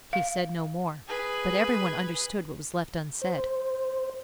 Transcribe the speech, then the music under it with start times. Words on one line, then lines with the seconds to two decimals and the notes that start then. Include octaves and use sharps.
He said no more, but everyone understood what was left unsaid.
0.13 F5
1.08 G#4 B4
3.22 C5